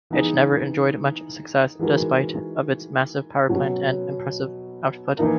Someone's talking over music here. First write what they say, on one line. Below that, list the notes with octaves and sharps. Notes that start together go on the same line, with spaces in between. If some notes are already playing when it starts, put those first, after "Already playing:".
It never enjoyed much success despite of its massive powerplant and impressive output.
E3 B3 D#4 G#4
E3 G#3 D#4 F#4 A#4
B2 F#3 C#4
E3 A#3 D#4 A#4